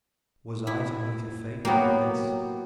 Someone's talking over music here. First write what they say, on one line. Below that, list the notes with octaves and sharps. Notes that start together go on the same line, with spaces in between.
Was I to meet a fate like this?
E4
F#3 A#3 B3 G4 G5